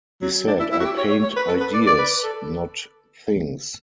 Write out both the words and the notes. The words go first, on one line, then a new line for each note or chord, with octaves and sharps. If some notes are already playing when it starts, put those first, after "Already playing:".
He said I paint ideas, not things.
F#3
D4
E4
E4
F#4
G4
C#5
C#5
C#5
B4
A4
B4
D5
D5
B4
A4